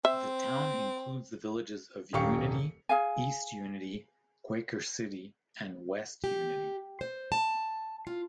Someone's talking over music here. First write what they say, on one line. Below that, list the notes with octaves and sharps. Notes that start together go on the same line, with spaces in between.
The town includes the villages of Unity, East Unity, Quaker City, and West Unity.
C4 E5
D#1 F#2 G4 F5 C#6 C#7
G#4 F5 G#5
G4
C5
A5
F4